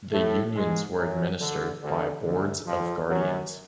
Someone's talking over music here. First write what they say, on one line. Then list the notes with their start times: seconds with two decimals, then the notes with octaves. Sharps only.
The unions were administered by Boards of Guardians.
0.12 A2 A3
0.55 G#2 G#3
0.97 F#2 F#3
1.39 D2 D3
1.81 D2 D3
2.24 D2 D3
2.66 F2 F3
3.08 F#2 F#3